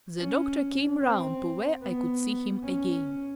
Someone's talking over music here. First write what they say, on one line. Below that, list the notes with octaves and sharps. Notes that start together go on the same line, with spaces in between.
The doctor came round to where I could see him again.
C#4
C4
B3
C#4